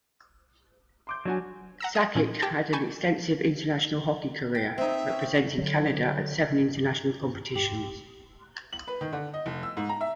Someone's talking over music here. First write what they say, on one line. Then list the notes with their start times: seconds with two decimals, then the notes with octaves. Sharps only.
Sakic had an extensive international hockey career, representing Canada at seven international competitions.
1.07 C6 D6 G6
1.25 F#3 D4 F#4 G#5
1.80 F#5 A#5 E6
1.95 D#6
2.15 A#2 C#4
2.42 G4 G5 A5
2.73 G#5 A5 B5 C#6 G6 G#6
4.55 G5
4.78 C4 D#4 E5
5.09 C#4
5.58 D3 F#3
7.56 G4
8.73 F#7
8.88 B4
9.01 D#3
9.13 D3
9.34 D#5
9.46 F1
9.63 E6
9.77 G#2
9.89 A#5
10.01 E5